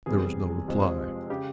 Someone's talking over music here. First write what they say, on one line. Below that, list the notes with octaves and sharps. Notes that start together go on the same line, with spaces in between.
There was no reply.
E2 C3 G3 G#4
F2 C3 F3 G#3 C4
C#3 G4